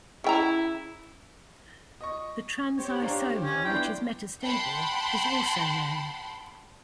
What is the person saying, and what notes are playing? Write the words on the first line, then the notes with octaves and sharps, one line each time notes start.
The trans isomer, which is metastable, is also known.
C#3 E4 G5 A#5
D#5 C#6
G4 C5 C#5
D4 F5 A#5
C#4
B3 D4 E4 G5 C6
F#5 G5 A5 B5 C6